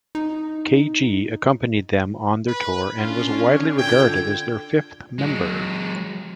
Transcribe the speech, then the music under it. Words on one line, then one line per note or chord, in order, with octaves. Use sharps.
K-Gee accompanied them on their tour and was widely regarded as their fifth member.
D#4
B4
C#4 D4 F4
D3 F4 G5 G#6
F#3 G#3